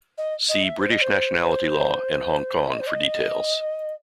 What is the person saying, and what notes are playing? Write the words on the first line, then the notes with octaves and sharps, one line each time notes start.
See British nationality law and Hong Kong for details.
D#5
D#5
E5
C5
D#5
C5
C5
E5
D#5
C5
D#5